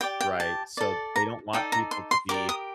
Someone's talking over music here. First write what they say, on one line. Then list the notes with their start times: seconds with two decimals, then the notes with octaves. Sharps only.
Right. So, they don't want people to be
0.01 G4 D5 G5
0.21 G5
0.40 A5
0.77 A4 D5
1.16 A#5
1.53 D#4 A4 D5 G5
1.72 A#5
1.91 C6
2.11 C6
2.29 G4 A#4 D5 D6
2.49 D#6